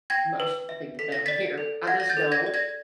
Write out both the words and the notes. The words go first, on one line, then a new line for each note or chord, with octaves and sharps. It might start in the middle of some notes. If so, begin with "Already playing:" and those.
most of the people down here, I just don't.
G5 G#6 A#6
B4
E5
A4 B6
A#6
D5 A6 B6
A4
F#5 G#6 A#6
A#6
G6 A6
A4
G#6 A#6
D5
G#6 A#6